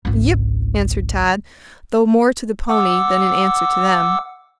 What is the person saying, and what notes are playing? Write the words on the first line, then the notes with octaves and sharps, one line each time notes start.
"Yip!" answered Tad, though more to the pony than in answer to them.
G#1 C#2
F#5 D6 E6